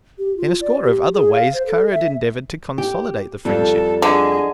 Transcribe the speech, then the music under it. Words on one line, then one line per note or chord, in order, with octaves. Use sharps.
In a score of other ways Kara had endeavoured to consolidate the friendship.
G4
F4
D5
G4
G#4
F5
C5
A4
E5
G4
F2 G3 A4
D3 G#4 D#5